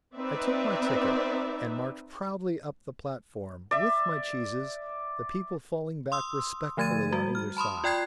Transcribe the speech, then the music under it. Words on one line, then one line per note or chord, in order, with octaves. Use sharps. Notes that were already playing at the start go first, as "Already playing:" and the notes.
I took my ticket, and marched proudly up the platform, with my cheeses, the people falling back respectfully on either side.
C4 D#4 B4 D5 E5
D5 E5
C6 D#6 E6
D3 F3 A3 G#6 A6 D#7
G3 F#4
F6
A5 B5 C6 D#6
F4 D5 G5 F#6 G#6 C7